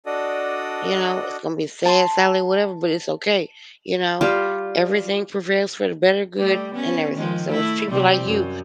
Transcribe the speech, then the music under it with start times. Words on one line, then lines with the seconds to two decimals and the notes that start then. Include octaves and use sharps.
you know? It's gonna be sad, sadly, whatever, but it's okay, you know? Everything prevails for the better good, and everything, so, it's people like you
0.06 D4 F#4 A4 D5 D#5 D#6
1.85 A5 C6
4.21 G3 F4 G4
6.37 G3 A3
6.73 B3 C#4
7.15 D#3 F3 G#3
7.47 A3 E4
7.91 C3 G3 C4
8.25 F#2